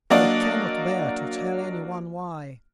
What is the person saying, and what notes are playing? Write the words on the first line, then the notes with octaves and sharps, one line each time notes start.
I cannot bear to tell any one why.
F#3 A#3 D4 F#4 D5 D#5